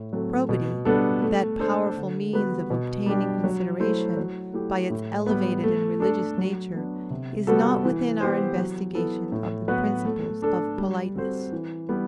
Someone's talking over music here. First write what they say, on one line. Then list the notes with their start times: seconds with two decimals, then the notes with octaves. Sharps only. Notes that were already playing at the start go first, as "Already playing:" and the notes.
Probity, that powerful means of obtaining consideration, by its elevated and religious nature, is not within our investigation of the principles of politeness.
Already playing: A2
0.13 F#3 A3 C4
0.49 B2
0.85 G3 B3 D4 A4
1.22 A3
1.59 D4 A4 C5
1.96 D3
2.33 G3 B3 F#4 B4
2.70 B2
3.06 G3 D4 G4
3.44 F#3
3.80 A3 E4 A4 C5
4.17 F#3
4.53 A3 E4 G4
4.90 A2
5.26 G3 B3
5.64 A3
6.00 D4 A4
6.38 F#3
6.75 B3 D4
7.10 C3
7.47 G3 B3 F#4 A4
7.85 E3
8.21 B3 E4 G4 C5
8.57 F#3
8.95 B3 E4 A4
9.32 A2
9.68 F#3 B3 F#4 B4
10.05 A3
10.42 D4 A4
10.78 G3
11.15 C4 F#4 A4 C5
11.52 E3
11.89 G3 B3